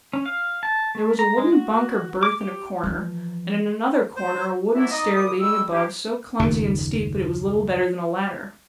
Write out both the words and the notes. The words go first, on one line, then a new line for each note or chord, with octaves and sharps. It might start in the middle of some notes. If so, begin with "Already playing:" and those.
There was a wooden bunk or berth in a corner, and in another corner a wooden stair leading above--so clumsy and steep that it was little better than a ladder.
C#4
F5
A5
A3
A#5
G#3
F#4
D6
G4
E3 F3
C5
E3 F#3 C4 D4 E4
D#4 D5 D#5
C2 A#2 B5 D6 D#6
G3 G#3 A4 C#6 E6
C3 D#3 F3 A#3 G4
F#1 D#2 A#2 C#3